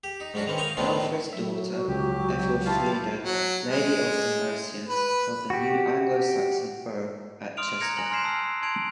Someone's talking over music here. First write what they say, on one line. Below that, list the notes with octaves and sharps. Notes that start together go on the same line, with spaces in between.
Alfred's daughter Ethelfleda, "Lady of the Mercians", built the new Anglo-Saxon 'burh' at Chester.
G4
D#4
G#2 F#3 C#4 D4 F#4
D#3 E3 C4 C#4
C#5 D#5 F5 G5 G#5
A2 D#3 F3 B3 C4 D4
F#3 E5
C#2 G4
E4 F4 G4 F5 A5
F#3
G#3
B4
F#4 G4
C6 D#6 F6 D7 F7
A#5 F#6 G#6 A#6 C#7 F7
G#5 F#6 A#6 F#7
G#5 C6 F6 G#6 C7 E7
A5 E6
A5 C6 G#6 D7 F7 F#7